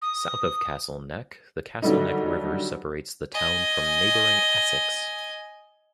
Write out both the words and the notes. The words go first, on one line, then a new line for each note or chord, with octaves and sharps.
South of Castle Neck, the Castle Neck River separates the town from neighboring Essex.
D#6
D3 D#3 F#3 G3 A3 D#4
D#5 G#5